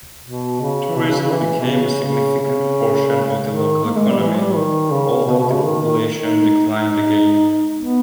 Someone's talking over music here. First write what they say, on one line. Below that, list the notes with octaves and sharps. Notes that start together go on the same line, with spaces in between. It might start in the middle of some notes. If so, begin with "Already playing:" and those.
Tourism became a significant portion of the local economy, although the population declined again.
B2
C#3
B2
C#3
C#3
E3
B2
C#3
C#3
C#3
D#3
A#3
G#3
G3
E3
G3
D#3
C#3
B2
B2
C#3
D#3
D#3
D#4
D#4
B3